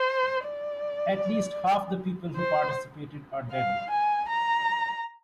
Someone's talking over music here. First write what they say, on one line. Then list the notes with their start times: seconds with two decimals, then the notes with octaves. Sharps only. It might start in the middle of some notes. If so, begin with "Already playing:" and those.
At least half the people who participated are dead now.
Already playing: C5
0.45 D5
2.36 C5
3.52 F5
3.90 G#5
4.29 A#5